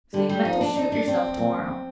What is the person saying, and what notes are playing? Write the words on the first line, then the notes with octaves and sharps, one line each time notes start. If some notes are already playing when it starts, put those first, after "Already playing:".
So you meant to shoot yourself to-morrow!
D3 G3
G3
F3 D#4
D4
D#4
D4
C4
A#2